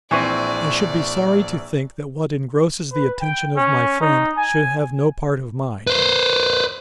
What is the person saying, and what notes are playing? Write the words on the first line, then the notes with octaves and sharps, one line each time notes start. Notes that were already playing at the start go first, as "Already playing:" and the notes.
'I should be sorry to think that what engrosses the attention of my friend, should have no part of mine.
A#1 E3 C4 D5 C#6 D#7
B4
G5
C#4
D#4
G#5
B4 C5